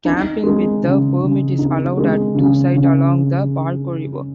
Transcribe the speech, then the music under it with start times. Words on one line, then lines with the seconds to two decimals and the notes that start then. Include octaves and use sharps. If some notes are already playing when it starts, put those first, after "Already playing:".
Camping with a permit is allowed at two site along the Barcoo River.
0.05 D#4
0.44 G#3
0.83 C#3
1.20 C#3
1.58 D#4
1.97 G#3
2.35 C#3
2.74 C#3